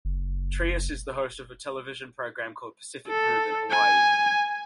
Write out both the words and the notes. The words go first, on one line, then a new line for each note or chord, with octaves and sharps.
Trias is the host of a television program called "Pacific Groove" in Hawaii.
F#1
A4
G#5